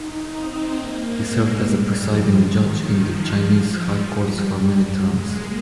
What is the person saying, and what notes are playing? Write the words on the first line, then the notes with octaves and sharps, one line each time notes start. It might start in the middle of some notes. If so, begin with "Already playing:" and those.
He served as a presiding judge in the Chinese high courts for many terms.
Already playing: D#4
C4
A#3
G#3
G3
F3
D#3
F3
G3
G#3
A#3